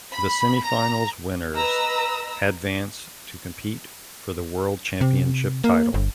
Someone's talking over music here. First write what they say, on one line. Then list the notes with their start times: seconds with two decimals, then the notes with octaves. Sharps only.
The semifinals winners advance to compete for the World Championship title.
0.11 B5
0.64 A#5
1.55 B4 D#5 A#5 E6
5.01 C3
5.64 A#3
5.94 G1